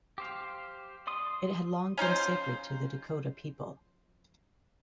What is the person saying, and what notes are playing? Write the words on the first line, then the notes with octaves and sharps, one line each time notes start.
It had long been sacred to the Dakota people.
G4 C5 F5
D5 C6 D#6
C#4 D#4 F4 C5